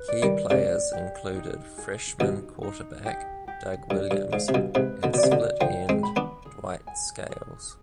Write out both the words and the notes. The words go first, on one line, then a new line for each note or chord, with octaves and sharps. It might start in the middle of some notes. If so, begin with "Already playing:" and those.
Key players included freshman quarterback Doug Williams and split end Dwight Scales.
Already playing: B4
D5
D#3 G3
G#2 C3 D5
G4
D#4
G#4
G2 B2 D#4
D#4
G4
G4
G2 D5
G2
G#2 F5
C3
G2 B2
G#2 C3 B4
B2 D3
B2
D5
C3
B2 D3
D3 F3 G5
G#3 C4
B5
B3 D4
G#4
G#5
G#4